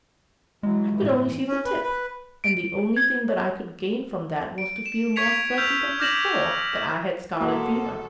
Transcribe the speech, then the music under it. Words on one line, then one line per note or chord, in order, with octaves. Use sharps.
I could only see the tip, and the only thing that I could gain from that was to feel more certain than before that I had scarlet fever.
E3 F#3 G#3
G1 A2 E3
C#4
B4
B4
D7
G#6
C#5
D7
E7
C#6 G#6 B6 C#7 F7
E6 F6 G6 F7
D6 F6 G6 A#6 E7 F#7
B1 F#3 G#3 A#3 A4 B5